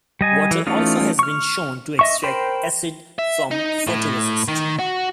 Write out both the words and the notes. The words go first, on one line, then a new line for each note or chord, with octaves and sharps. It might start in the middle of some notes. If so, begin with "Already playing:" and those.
Water also has been shown to extract acid from photoresist.
G3 D#5 G#5
E3
E3 A3 C#4 D#4 F4
C#6 F6
D#5 E5 C#6
A#4 C5 G5 B5 C6
E5
D#4
A2
D#3
F#4